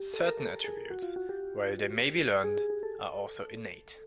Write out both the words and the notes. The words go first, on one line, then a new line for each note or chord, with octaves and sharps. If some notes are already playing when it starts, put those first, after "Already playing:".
Certain attributes, while they may be learned, are also innate.
Already playing: G4
A4
A#4
A4
G#4
F#4
F4
F#4
G4
G#4
G#4
G#4
A4